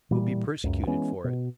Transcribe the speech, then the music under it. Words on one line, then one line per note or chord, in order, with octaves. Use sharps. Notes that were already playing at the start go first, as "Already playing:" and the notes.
We'll be persecuted for it.
A#2 E3 G3
C#2 F#2
E3 G#3 B3 C#4
B2